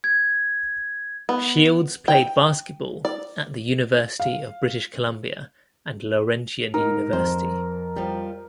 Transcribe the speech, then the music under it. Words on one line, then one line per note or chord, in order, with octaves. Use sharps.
Shields played basketball at the University of British Columbia and Laurentian University.
G#6
B3
G5
D5
F5
G#2 D#4 A#4
F2 C5
F3 G3